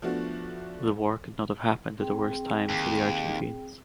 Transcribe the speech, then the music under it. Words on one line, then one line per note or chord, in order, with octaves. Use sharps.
The war could not have happened at a worse time for the Argentines.
F3 A3 B3 D4 F#4
C4 G#4 G5
D#2